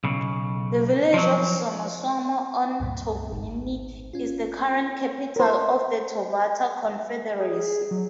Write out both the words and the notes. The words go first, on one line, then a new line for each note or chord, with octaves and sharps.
The village of Somosomo on Taveuni is the current capital of the Tovata Confederacy.
B1 C#3
F3 F#3
C#2 G2 A#2
G#1
C#4 F4
A#4 C5
G#4
F#3